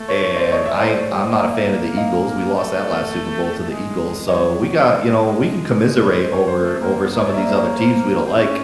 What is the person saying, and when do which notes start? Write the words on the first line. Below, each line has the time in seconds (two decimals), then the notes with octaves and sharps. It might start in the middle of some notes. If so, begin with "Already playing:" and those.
and I I'm not a fan of the Eagles, we lost that last Super Bowl to the Eagles, so we got you know, we can commiserate over over some of these other teams we don't like.
Already playing: A3
0.08 C#5
0.22 C#5
0.36 C5 D5
0.52 C#5 D#5
0.65 D5 E5
0.80 A#3 C5 D5
0.88 G#3
0.95 A3
1.01 C#5
1.10 G3
1.19 G#3 C5 D5
1.34 D#5
1.38 A#3 D5 E5
1.97 D#5 F5
2.55 A3
3.59 A3
3.70 G#3
4.29 G3 C#5 D#5
4.48 F#3
4.60 G3
4.67 F#3
4.87 G#3
6.03 C#5
6.18 C5
6.32 C#5
6.47 C5
6.61 A3
6.80 A#3
7.01 B3
7.12 A#3
7.19 A3 C#5
7.34 A#3 D5 E5
7.48 C5
7.63 C#5
7.78 C5
8.25 C4
8.35 C#4